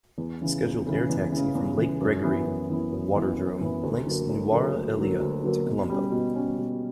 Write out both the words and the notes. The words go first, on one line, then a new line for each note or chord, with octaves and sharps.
Scheduled air taxi from Lake Gregory Waterdrome links Nuwara Eliya to Colombo.
E2
C#3 E3
E2
C#3 E3
E2
C#3 E3
E2
C#3 E3
F#2
E3 B3 E4
F#2
E3 B3 E4
F#2
E3 B3 E4
F#2
E3 B3 E4
D2
D3 F#3 A#3
D2
D3 F#3 A#3
D2
D3 F#3 A#3
D2
D3 F#3 A#3
B2
G3 C#4
B2
G3 C#4
B2